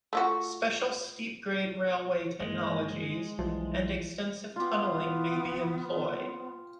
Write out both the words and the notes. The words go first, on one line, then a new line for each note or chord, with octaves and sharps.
Special steep grade railway -technologies and extensive tunneling may be employed.
A3 F4 F#4
G2 E3 G#3 A#3
B1 E3 F3 G3
B3 F4 G4